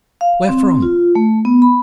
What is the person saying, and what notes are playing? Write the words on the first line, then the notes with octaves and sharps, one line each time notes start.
"Where from?"
F5
C4
F4
A3
B3
B5